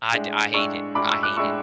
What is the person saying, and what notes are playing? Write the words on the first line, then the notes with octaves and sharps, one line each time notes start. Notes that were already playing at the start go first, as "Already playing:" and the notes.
I d I hate it, I hate it.
A2 G#3 D4
A2 G#3 D4 C#6 E6
A2 G#3 D4 B5 D6
C#6 E6
D6 F#6
A2 G#3 D4 C#6 E6